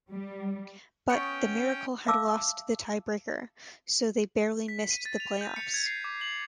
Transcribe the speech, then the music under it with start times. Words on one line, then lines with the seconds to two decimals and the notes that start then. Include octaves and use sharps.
But, the Miracle had lost the tie-breaker, so they barely missed the playoffs.
0.12 G3
1.09 B3 C#4 G5 C#6
2.06 E5 F5 A5 D6 E6
4.68 B6
4.91 D#7
5.05 A6
5.20 F7
5.41 G6
5.56 C#7
5.74 G#6
5.86 C7
6.04 D6
6.21 F#7